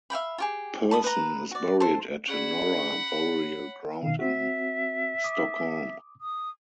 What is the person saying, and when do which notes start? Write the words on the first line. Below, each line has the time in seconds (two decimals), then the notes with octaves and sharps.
Persson is buried at Norra burial ground in Stockholm.
0.10 E5 F5 G5 B5
0.38 F4 G4 G#4
0.91 A5 B5 D#6
1.04 B4 A#5
1.51 F#4 D5
1.80 A4 C5
2.28 C#4 G#4 D5 F#5 B5
3.16 C#5
4.03 B2 D#3 F5
4.19 C4 F#4 E5
5.24 D6 D#6
6.21 D#6